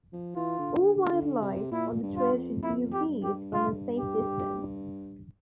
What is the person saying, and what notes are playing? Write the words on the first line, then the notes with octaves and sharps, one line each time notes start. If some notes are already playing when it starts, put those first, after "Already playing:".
All wildlife on the trail should be viewed from a safe distance.
F3
E3 F4
D3
D3
D3
C3
A#2 E4
G2
F4
F2
F2 E4
G4
G2
G4
F4
G4